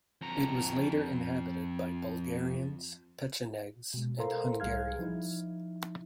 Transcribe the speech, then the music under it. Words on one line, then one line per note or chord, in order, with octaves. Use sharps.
It was later inhabited by Bulgarians, Pechenegs and Hungarians.
F2 A#5
B2 G#3
A4 A#4 C5 F5 A#5 C6
C2 G3 G#4 F5 F6 G#6
F3 D#4 E4